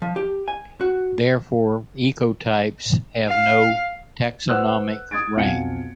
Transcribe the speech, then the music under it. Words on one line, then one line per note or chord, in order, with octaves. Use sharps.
Therefore, ecotypes have no taxonomic rank.
F3
G4
G#5
F#4
F5
B4 C5 F#5 E6 F#6
D#6 G#6 A6 D7
B1 F2 F5 F#5 G#5 C#7